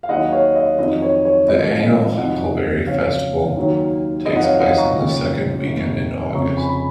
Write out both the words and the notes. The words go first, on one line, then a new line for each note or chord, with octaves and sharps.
The annual Huckleberry Festival takes place on the second weekend in August.
F5
D#2 D#3 F#3 D#5 F#5
C#5 F5
D#5
F2 D#3 F#3 D#5
C#5
C#5
G#1 F#2 F3 D#5
F5
D#5
F1 F2 D#3 F#3 D#5 F#5
F2 C#3 F#3 C#5 F5
D#2 D#3 F#3
F2 D#3 F#3 D#5
F#5
C#5 F5
D#5 F#5
A#5 C#6
D#2 C#3 F3
F1 D#2 D#3
F1 F2 C#3 F3 A#5 C#6
G#5 B5
B5